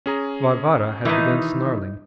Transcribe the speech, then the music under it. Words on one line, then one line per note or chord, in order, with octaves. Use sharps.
Varvara had begun snarling.
C#4 G#4 A#5
D#3 E3 D#4 E4 B4